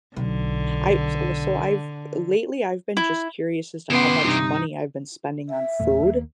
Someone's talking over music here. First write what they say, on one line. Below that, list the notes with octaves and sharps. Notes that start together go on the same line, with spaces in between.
I wa s so I've lately I've been just curious as to how much money I've been spending on food,
B1 D3
E4
C#3 E3 B3 G4 F#5 C6
G2 C3 D#4
E5
E2 A#2 A3
D#2 A#3